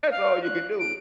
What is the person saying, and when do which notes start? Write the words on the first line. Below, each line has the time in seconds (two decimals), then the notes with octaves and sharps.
all you can do.
0.11 F5
0.43 F#6
0.79 D7